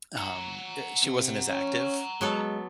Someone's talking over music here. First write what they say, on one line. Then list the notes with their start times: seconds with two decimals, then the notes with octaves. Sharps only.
um, e She wasn't as active,
0.17 F#5 A#5
1.03 C3
1.50 C#4
2.21 F#3 G#3 B3 A4